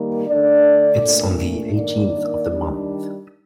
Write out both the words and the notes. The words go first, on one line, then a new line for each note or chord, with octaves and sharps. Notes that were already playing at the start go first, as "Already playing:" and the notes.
It's on the eighteenth of the month.
Already playing: D#3 G3 A#3
D3 A3 D4 D5
A#2 A3 D4
D#3 A#3 D4 D5
D#3 G3 D4